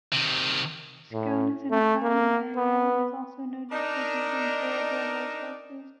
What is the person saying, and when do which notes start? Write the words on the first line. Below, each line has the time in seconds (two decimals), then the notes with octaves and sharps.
Scone is in a farming area and is also noted for breeding Thoroughbred racehorses.
0.13 C3 D#3
1.13 A2
1.71 A3
2.02 A#3
2.57 B3
3.72 D4 D#4 A#4 D5